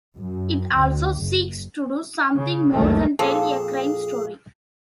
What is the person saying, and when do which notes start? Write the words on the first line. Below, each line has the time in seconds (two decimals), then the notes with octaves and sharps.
It also seeks to do something more than tell a crime story.
0.18 F#2
0.76 D2
1.23 F#1
2.35 C#3
2.71 F#1 C#2 D#3 A3
3.19 F2 A#2 F3 G#4 A4